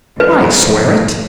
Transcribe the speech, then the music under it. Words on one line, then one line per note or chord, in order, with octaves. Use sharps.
"I swear it."
D2 G#2 F3 B4